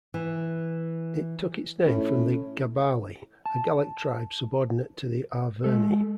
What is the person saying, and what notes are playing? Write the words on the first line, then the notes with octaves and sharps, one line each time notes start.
It took its name from the Gabali, a Gallic tribe subordinate to the Arverni.
E3
A2 C#4
A5
G#3 A4